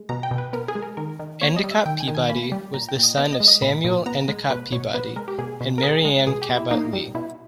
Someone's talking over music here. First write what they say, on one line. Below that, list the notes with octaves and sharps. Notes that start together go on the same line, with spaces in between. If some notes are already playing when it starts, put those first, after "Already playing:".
Endicott Peabody was the son of Samuel Endicott Peabody and Marianne Cabot Lee.
Already playing: G#3
B2 A#5
G5
B2
B4
B3 A#4
G#4
G#3
A#4
D#3 A#4
D#3
A#3 C#5
D#5
G3
E5
D#3 G5
G#5
D#3
G#5
A#3 B5
G3
A#2 A#5
G5
A#2
D#5
B3 D#5
D#5
G#3
D#5
A#2 B5
A#2
B3 A#5
G#3
B2 B4
B2 C#5
B3 B4
G#3 A#4
G4
B2 G#4
B2
A#4
B3 G#4
G#3
B2 G#4
G4
B2
E4
A#3 D#4
G3
B2 E4